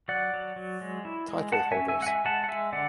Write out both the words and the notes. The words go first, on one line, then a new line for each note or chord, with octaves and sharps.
Title holders.
F#3 D5 F#5
F#3
F#3
G#3
E4
G#3
G#3 F#5 A5
E5 G#5
C#4
E5 G#5
G#3 F#5
E5 G#5
G#3 F#5 A5
F#5
G#3 E5 G#5
D3 D5 F#5